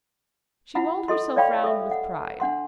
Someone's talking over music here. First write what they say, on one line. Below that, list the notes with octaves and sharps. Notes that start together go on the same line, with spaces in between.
She walled herself round with pride.
E4 F4 F#5 B5
A4 D#5 C6
C#5 D5 F5 G5 B5 C#6
A4 E5
F#5
D4 F#5 C6